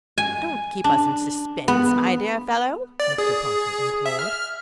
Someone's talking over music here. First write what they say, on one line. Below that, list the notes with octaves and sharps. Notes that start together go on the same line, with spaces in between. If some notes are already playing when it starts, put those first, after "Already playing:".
"Don't keep us in suspense, my dear fellow!" Mr. Parker implored.
G#5
D4
B3
D5
G#4
E5
F6